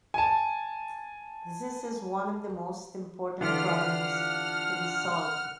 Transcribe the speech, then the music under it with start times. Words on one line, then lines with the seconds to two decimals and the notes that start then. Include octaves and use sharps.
This is one of the most important problems to be solved.
0.14 G#5 A5
3.41 D3 E3 D4 F4 G4 F#5 F6